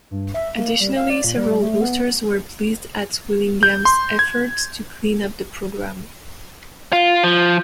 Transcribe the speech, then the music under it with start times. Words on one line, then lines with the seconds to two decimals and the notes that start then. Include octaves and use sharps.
Additionally, several boosters were pleased at Willingham's effort to clean up the program.
0.11 G2
0.34 E5
0.55 A#3
0.80 G3
0.96 F5
1.10 D5
1.24 A#2
1.37 G3
1.62 A3
1.81 B3
3.63 G6
3.85 C6
4.19 G#6
6.93 F4
7.24 F3